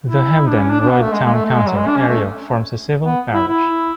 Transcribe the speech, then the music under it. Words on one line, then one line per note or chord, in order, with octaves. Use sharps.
The Hebden Royd Town Council area forms a civil parish.
E4
D4
C#4
D4
D4
B3
A3
G#3
G#3
A3
A3
G#3
F#3
G#3
D4
C#4
A3
B3
E4
E4